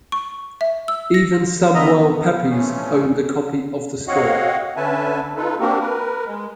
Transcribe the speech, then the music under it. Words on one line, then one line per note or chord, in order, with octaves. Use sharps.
Even Samuel Pepys owned a copy of the score.
C#6
E5
E6
A#6
D3 D#3 B3 D#5 E5 A#5
B3
A#2 E3 F3 A3 C#4
C4 F#4 C#5 D#5 F5 F#5
D3 C#4 B4 E5 G#5 A5
D#4 F4 A4 B4
A#3 C4 D4 F#4 G4 A#4
A#4 B4
G#3